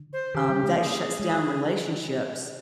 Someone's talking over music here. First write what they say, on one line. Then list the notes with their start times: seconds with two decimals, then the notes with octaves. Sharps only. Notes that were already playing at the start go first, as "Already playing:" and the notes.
Um, that shuts down relationships
Already playing: D3
0.13 C5
0.35 D#3 G4
0.49 G3
0.63 G#3
0.77 A#3 G#4
1.20 G#3 G#4